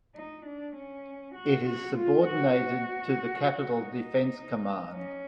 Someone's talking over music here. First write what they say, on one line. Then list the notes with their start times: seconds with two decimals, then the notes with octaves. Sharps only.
It is subordinated to the Capital Defense Command.
0.16 D#4
0.46 D4
0.76 C#4
1.35 F#4
1.66 F#4
1.96 F4
2.26 F#4
2.56 F#4
3.76 D#4
4.94 C#4